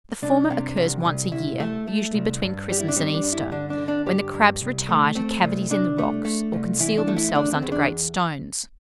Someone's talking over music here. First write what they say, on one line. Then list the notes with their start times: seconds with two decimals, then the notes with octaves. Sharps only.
The former occurs once a year, usually between Christmas and Easter, when the crabs retire to cavities in the rocks, or conceal themselves under great stones.
0.22 C2 D4
0.50 C3
0.77 C2
1.05 C2
1.32 C2 E4
1.60 A3
1.87 A3
2.14 C2
2.42 G2
2.70 G3 G4
2.80 E4
2.88 D4
2.96 G3 C4
3.14 D4
3.23 G2
3.33 E4
3.52 D3 D4
3.70 D4
3.78 D3
3.88 D4
4.06 G2 G4
4.34 G2
4.61 C2
4.89 A3
5.15 A3 C4
5.42 C2
5.70 C2 D4
5.98 A3
6.25 A3
6.53 C2
6.80 E3 E4
6.98 D4
7.08 A3
7.16 E4
7.35 E2 D4
7.53 C4
7.62 E2
7.72 D4